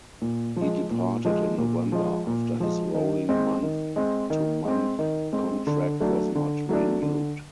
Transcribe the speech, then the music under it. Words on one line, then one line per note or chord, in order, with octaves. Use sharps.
He departed in November after his rolling month-to-month contract was not renewed.
A#2
F3 G#3
A#2
F3 G#3
A#2
F3 G#3
A#2
F3 G#3
D#3
G#3 C4
D#3
G#3 C4
D#3
G#3 C4
D#3
G#3 C4
D3
F#3 A3 D4
D3
F#3 A3 D4
D3